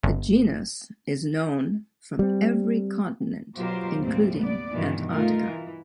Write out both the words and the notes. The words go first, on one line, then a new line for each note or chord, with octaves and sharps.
The genus is known from every continent including Antarctica.
G1
G3 C4
B2 F#3 F4 G4 A#4 C5
D#2 A2 C#3 G3 A3 C4
B3 D5
G2 B2 D#3 E3
A3 D#4 F4 A#4
E3